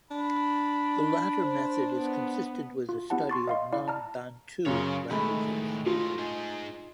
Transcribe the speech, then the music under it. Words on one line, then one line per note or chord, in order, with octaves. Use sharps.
The latter method is consistent with the study of non-Bantu languages.
D4 B5
C5
B3
F4
B3 E4 G4 F#5 A5
C6 C#6 A6
D#5 F5 C6
E4 D5 F5
A5 A#5 F6
F#2 C#3 C#5 F5
A2 D#3 G#3 A3 B5
A2 D#4 F4 C6
D#4 G#4